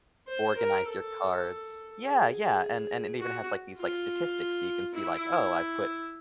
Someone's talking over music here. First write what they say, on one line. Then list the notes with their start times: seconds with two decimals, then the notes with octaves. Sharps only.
organize your cards Yeah, yeah and and it even has, like, these, like, statistics so you can see, like, "Oh, I've put
0.28 C5
0.57 A#4
0.86 A4
2.03 G#4
3.19 F#4
3.78 F4
4.94 E4